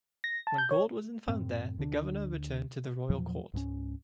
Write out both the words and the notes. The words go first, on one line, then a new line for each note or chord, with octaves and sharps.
When gold wasn't found there, the governor returned to the Royal Court.
A#6
A5
G6
C#5
F#2 A2 C4
D2 D3 D4
E2 A#2 F3 F#3
C#2 G#2 G3 C#4